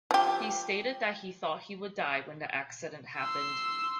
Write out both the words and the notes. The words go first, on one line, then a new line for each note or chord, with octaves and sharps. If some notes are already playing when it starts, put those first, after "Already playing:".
He stated that he thought he would die when the accident happened.
F3 G4
C6 E6